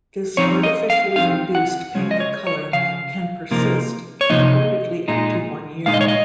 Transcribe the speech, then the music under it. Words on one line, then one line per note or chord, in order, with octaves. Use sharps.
This artificially induced pink color can persist, reportedly up to one year.
F3 C4 D#4 C#5
D#5
F5
F3 C4 D#4 F5
F#5
C#3 F3 G#3 C#4
D#5
C#5
C#5
C#3 F3 F5
C3 F3 A#3 D#4
C#5
C3 F3 A#3 D#4 D#5
A#2 G#3 D#4
A#2 G#3 D#4 F5
D#5
C#5
D#5